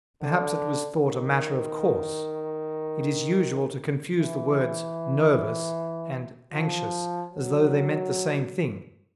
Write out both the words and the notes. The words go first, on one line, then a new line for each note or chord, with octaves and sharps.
Perhaps it was thought a matter of course; it is usual to confuse the words "nervous" and "anxious" as though they meant the same thing.
D3
D#3
E3
F3
F#3